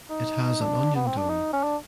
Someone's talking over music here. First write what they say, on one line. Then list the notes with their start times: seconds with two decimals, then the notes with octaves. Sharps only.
It has an onion dome.
0.10 D#4
0.61 D4
0.95 B3
1.06 C4
1.18 D4
1.29 D#4
1.53 C#4
1.63 D4